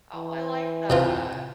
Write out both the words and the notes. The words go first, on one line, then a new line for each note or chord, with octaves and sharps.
Oh, I like that.
E3
B2 C4 F4